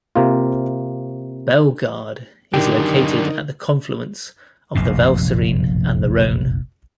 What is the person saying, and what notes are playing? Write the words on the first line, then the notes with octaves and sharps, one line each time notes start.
Bellegarde is located at the confluence of the Valserine and the Rhone.
C3 A#3 F4
F#2 D3 D#3 G4
F1 A#1 F#2 B2